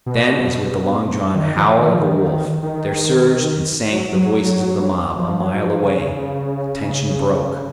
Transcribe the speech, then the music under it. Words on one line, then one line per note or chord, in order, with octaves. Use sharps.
Then, as with a long-drawn howl of a wolf, there surged and sank the voices of the mob a mile away, the tension broke....
B2
D#3
F3
D#3
F3
D#3
D#3
F#3
F#3
F3
F#3
F3
C#3